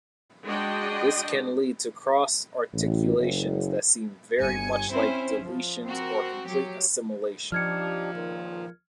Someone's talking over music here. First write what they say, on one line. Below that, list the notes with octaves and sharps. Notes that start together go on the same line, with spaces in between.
This can lead to cross-articulations that seem very much like deletions or complete assimilation.
G#3 D4 F#4 D#5 G5
A1
F#1
G1 G#5 C#7
C4 C#4 E4 C5
F3
C4 F#4 A#4
F#3 G4
F3 D4 D#4 G4 F6 G#6 C#7
C#2 A#2 D#3